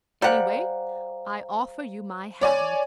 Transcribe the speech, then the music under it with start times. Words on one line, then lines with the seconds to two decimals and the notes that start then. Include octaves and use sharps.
Anyway, I offer you my hand.
0.22 G3 C5 F5 F#5 A#5
2.41 C#5 D5 G#5